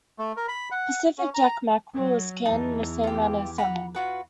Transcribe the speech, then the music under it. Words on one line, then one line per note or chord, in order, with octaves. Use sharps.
Pacific jack mackerel is canned in the same manner as salmon.
A3
A#4
B5
F#5
C#4
A#5
F#3
E2 E3 D#4 A5
F4 G4
F#5 A#5 B5
F4 F#4 B4